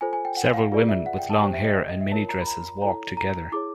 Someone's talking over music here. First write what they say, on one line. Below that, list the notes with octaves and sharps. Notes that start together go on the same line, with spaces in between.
Several women with long hair and minidresses walk together.
F4 A4 C5 G#5
G#5
G5
F#5
F5
F4 G#4 B4 D5
E5
F#5
G5
A5
G4 C5 G5
E5
D#5
D#5
D#5
E5
F4 A#4 C#5 A5
A#5
B5
A#5
E4 A4 C#5 A#5
A#5
E4 G#4 C#5 D6